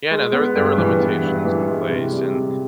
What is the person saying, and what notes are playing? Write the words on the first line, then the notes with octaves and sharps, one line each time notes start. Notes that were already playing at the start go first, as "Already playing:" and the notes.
Yeah, no. There were there were limitations in place, and,
G#3
B3
G2
E3
B3
G2
E3
G#3
C3
G3
C3